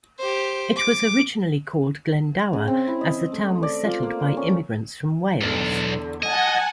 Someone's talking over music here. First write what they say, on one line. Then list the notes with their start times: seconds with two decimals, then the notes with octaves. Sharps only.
It was originally called Glendower as the town was settled by immigrants from Wales.
0.19 G4 C5
0.76 D6
2.53 C#3
2.68 C4
2.88 E4
3.01 D#5
3.32 A3
3.63 D5
3.85 F4
4.03 A#3
4.37 C#4
5.41 B1 E2 D3
6.23 D#5 F#5 G#5 A5 G#6